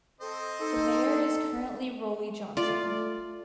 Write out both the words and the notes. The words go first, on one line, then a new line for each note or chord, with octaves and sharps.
The Mayor is currently Rollie Johnson.
C4 A4 C5 D#5
D#4 A4
A3 F4 D5